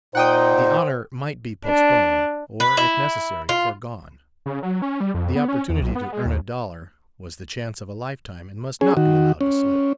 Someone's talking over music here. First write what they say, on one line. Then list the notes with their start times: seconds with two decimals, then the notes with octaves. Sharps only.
The honor might be postponed or, if necessary, foregone; the opportunity to earn a dollar was the chance of a lifetime and must not be allowed to slip.
0.15 A#2 D#4 C5 F#5 G5 D#6
1.66 D4
2.60 B4
2.77 E4
3.49 F4
4.46 C#3
4.63 F#3
4.82 C#4
5.00 G3
5.14 F2
5.35 B3
5.48 C#4
5.69 E2
5.82 B1
5.95 B3
6.13 G#3
6.26 D#2
8.81 C#4 G#4
8.97 D#3 F#4
9.41 C#4